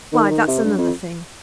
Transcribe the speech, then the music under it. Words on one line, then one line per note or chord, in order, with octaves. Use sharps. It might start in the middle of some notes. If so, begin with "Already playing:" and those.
'Why, that's another thing.
D#3
D#3
C3
G2
F2